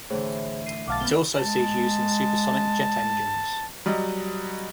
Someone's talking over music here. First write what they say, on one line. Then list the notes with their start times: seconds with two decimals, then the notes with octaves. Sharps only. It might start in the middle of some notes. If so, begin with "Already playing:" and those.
It also sees use in supersonic jet engines.
0.10 A2 D3 E3 G#4 C5 C#5
0.66 C7 D#7
0.88 B1 F5 F#5 A5 D6 A6
1.00 B3 C4 G7
1.39 G#3 A5
3.86 F#3 G3 D#5